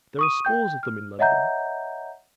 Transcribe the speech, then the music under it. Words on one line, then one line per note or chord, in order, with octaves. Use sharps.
There are scores of them in London.
C#6 D#6 D#7
G5 G6
F6
C#5 D#5 E5 F#5 A#5 G6